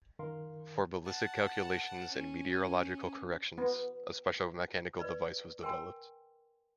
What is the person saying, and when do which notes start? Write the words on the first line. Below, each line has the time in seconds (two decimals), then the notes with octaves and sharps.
For ballistic calculations and meteorological corrections a special mechanical device was developed.
0.19 C#2 F#2 D#3 A#4 F5 C6
1.05 F#5 A5
2.11 C#4
3.58 B3
4.99 B4 D5
5.63 A#4 G5 G#5 C6